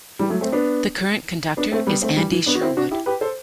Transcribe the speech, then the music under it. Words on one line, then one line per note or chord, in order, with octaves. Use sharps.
The current conductor is Andy Sherwood.
E3 G3
F#3 A3
A3 C4
B3 D4
B3 D4
A3 C4
G3 B3
A3 C4
E3 G3
E3
B3 D4
F#4
C4 E4
D4 F#4
E4 G4
G4 B4
A4 C5